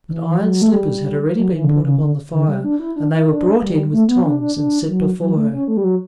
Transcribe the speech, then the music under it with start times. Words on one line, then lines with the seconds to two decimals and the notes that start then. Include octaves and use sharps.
But iron slippers had already been put upon the fire, and they were brought in with tongs, and set before her.
0.09 E3
0.40 F#3
0.62 A3
0.73 G3
1.36 F#3
1.53 E3
1.64 C#3
1.68 D3
1.84 C#3
2.00 D3
2.33 D3
2.48 G3
2.64 D4
2.80 E4
2.96 D4
3.12 E4
3.29 D4
3.60 G3
3.92 A3
4.08 B3
4.24 D4
4.40 D4
4.56 D4
4.88 F#3
5.21 F#3
5.36 A3
5.53 C#4
5.68 A3
5.77 G3
5.84 F#3